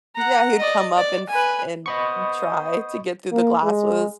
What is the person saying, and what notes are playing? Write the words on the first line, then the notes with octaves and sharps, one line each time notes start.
Yeah, he'd come up and f and try to get through the glass was
F#5 A#5
D5 D#5
D5
B4 G#5
B3 C5 D#5 B5 C#6 D#6
A#3
G#3